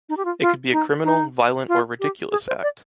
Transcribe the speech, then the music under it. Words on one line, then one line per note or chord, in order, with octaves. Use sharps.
It could be a criminal, violent, or ridiculous act.
D#4
G4
F4
F4
D#4
D#4
F4
G4
G#4
C5
D5